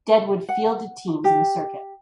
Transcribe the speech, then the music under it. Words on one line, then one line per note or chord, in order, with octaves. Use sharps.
Deadwood fielded teams in the circuit.
F#5
G4